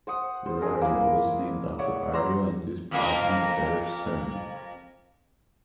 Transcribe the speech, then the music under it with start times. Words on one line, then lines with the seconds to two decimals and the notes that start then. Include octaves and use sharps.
Berario was named after Ario and his partner, Ber Sarnie.
0.07 C5 F#5 D#6
0.46 C5
0.61 D4 G#4 A#4
0.81 A#3 E4 B5
1.79 C#5 D5 E5 F#5
2.13 D5 A#5 C6 E6
2.91 F2 A#3